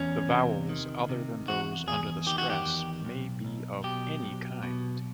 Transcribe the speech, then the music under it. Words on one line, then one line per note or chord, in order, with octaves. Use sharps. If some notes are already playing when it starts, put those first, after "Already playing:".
The vowels other than those under the stress may be of any kind.
Already playing: E2 C#4
C3
D#3
C3
E2 F#4
E2 G#4
D#3 G4
F#4
G4
E2
B1
B1
B2 G4
B1
B2